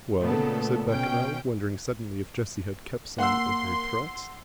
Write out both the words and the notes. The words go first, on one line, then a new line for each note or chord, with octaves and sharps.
"Well?" said Bechamel, wondering suddenly if Jessie had kept some of her threats.
A#2 C#3 A3 B3 A4
B2 C#4 G5
A#3 F#5 C6 E6